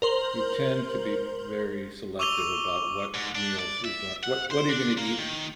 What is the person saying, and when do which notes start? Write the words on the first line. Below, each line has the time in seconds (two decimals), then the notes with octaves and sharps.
you tend to be very selective about what meals you're goin what what you're gonna eat
0.02 A#4 C5 C6 F#7
2.19 C#6 D6 E6 D#7 F7 G7
3.14 G#2
3.35 D4
3.59 D5
3.85 E5
4.23 F#5
4.51 C5
4.69 D4
4.98 A#3
5.19 D#3